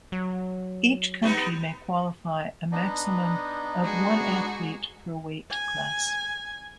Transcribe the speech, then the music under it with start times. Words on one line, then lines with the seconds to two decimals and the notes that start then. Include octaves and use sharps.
Each country may qualify a maximum of one athlete per weight class.
0.12 F#3
1.22 G3 B3 D#4
2.72 B3 D4 D#4
3.84 G#3 F#4 G#4
5.50 G#5